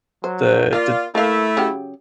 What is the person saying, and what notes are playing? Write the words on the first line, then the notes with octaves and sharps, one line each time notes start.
the the
F#3 C5
A#3 F4 D5 F5
A3 A#3 E4 F5
C#3 F#3 G4